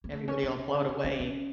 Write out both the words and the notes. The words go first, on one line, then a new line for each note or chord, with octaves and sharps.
Everybody'll float away.
A#3
A3
C#4
D4
C#4
D4
C#4
C#4
C#4